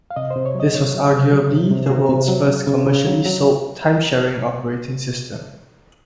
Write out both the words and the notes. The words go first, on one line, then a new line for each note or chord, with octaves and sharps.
This was arguably the world's first commercially sold time-sharing operating system.
F5
C3 D#5
C5
C3
C#5
F#3
D#5
C3 C#5
F#3
C3
F#3
C3
C3
G#4
C3 F#4
C3
F#3
C#3
C#3
C#3
F#3
F#3